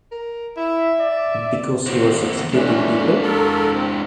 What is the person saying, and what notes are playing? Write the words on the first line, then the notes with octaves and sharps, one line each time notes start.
Because he was executing people?
A#4
E4 E5
D5
D#2 C4
E3 G#3 A3 C#4 D4
A4 A#4
C4